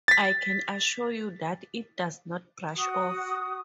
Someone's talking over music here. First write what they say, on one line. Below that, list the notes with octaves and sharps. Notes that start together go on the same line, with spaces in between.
I can assure you that it does not brush off.
A6 B6
F#4 D#6